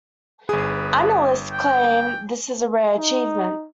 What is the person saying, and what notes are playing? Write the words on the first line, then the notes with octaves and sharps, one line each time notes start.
"Analysts" claim this is a rare achievement.
G1 G#4 B4 D#6
G5
D#4